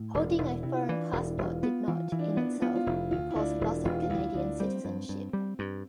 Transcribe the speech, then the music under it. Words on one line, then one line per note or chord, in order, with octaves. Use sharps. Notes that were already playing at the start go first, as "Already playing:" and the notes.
Holding a foreign passport did not "in itself" cause loss of Canadian citizenship.
Already playing: A2
E1 D4
E1 E4
C3 E4
F4
E4
E3 D4
E4
E1
E4
E1
F4
B3 F4
E3 F4
E3 E4
D4
E4
B3 D4
B3 F4
F4
F1 E4
D2 F4
E4
D2 D4
E1 E4
E1 F4
F4
D2 E4
D2 D4
G3 C4
G2
G2
G3
G2